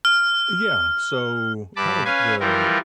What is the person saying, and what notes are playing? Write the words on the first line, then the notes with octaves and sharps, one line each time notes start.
Yeah, so, kind of the
F6
G2 A5 B5 D6
C#4 B4 F5 G#5
E3 F3 G3 F4 A#4